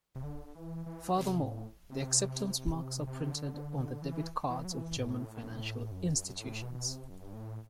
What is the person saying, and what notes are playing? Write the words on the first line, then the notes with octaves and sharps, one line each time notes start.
Furthermore, the acceptance marks are printed on the debit cards of German financial institutions.
C3
D3
E3
E3
C3
A2
C3
C3
D3
D3
D3
E3
E3
F#3
E3
A2
F#2
F#2
A2
B2
B2
C3
F#2
G2
A2